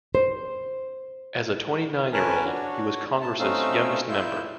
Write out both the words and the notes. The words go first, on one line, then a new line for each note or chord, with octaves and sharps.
As a twenty-nine-year-old, he was Congress's youngest member.
C5
C#4 A#4 B4 G#5 A5
D4 F#4 C#5
A5
A3 C4 C#4 D#4 F5 E6
E4 F4 E6 G6